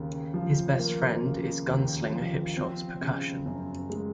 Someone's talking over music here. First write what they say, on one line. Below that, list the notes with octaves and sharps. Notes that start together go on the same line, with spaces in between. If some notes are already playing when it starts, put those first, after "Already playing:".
His best friend is gunslinger Hipshot Percussion.
Already playing: D#2 C#3 A#3
F3
A#3
C#3
D#2
F3
C4
C#3
F#2
G#3